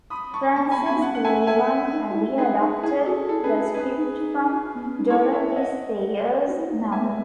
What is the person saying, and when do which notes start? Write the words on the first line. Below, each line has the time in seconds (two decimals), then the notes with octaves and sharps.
Frances Limoncelli adapted the script from Dorothy Sayers' novel.
0.10 B5 D#6
0.33 A5 C#6
0.56 B3 A5 C#6
0.68 B3
0.71 G#5 B5
0.79 C#4
0.86 B3 G#5 B5
0.97 D#4
1.02 C#4 F#5 A5
1.15 F#5
1.25 E5 G#5
1.47 E5 G#5
1.93 D#4
2.11 F#4
2.15 E4
2.33 C#4
2.38 D#4 G#4 B4
2.61 D#4
2.83 E4 G#4
3.06 F#4 A4
3.29 E4 A4
3.44 C#4 G#4 B4
3.51 D#4
3.59 G#4
3.74 C#4 G#4 B4
3.97 D#4
4.20 D#4
4.75 B3
4.86 C#4
4.98 D#4
5.10 E4 A4 C#5
5.33 C#5 E5
5.56 D#5 F#5
6.47 F#4
6.58 E4
6.70 D#4
6.80 B3
6.92 B3 E5 G#5
7.00 A3
7.09 G#3